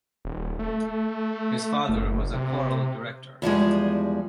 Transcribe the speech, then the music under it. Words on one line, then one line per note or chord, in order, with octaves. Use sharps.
His father was a choral director.
D#1
A3
F#1
C3
E2 F3 G3 G#3